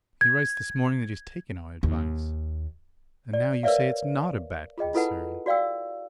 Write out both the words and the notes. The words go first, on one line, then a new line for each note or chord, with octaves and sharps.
He writes this morning that he's taken our advice, and now you say it's not a bad concern.
G#6
D#2
D5
A#4 B4 C#5 D5 E5 F5
F4 G#4 D#5 G5
E4 F4 A4 B4 F#5 A5
F#4 D5 F5 G5 E6